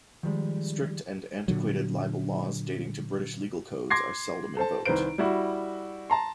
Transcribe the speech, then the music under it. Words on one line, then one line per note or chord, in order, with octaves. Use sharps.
Strict and antiquated libel laws dating to British legal codes are seldom invoked.
D#3 F3 G3 G#3
A#2 D3 F#3
C6 D6 G#6 A#6 C7
A4 C5 A5
C2 D#3 B4 C5 D7
G3 E4 F#4
A5 A#5 C6